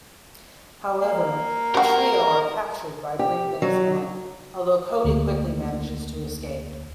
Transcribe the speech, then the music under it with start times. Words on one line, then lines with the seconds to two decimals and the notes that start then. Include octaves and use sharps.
However, the trio are captured by Brinkman's men, although Cody quickly manages to escape.
1.01 A#3
1.75 G3 F#4 A#4
3.19 G4
3.62 F#3
5.04 D2 A#3